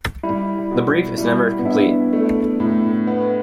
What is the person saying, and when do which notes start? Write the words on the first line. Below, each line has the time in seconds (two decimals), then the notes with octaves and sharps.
The brief is never complete.
0.23 G3 E4
0.71 B2
1.18 G3 E4
1.59 B3
1.65 D4 E4
2.13 A3
2.60 A2
3.07 B3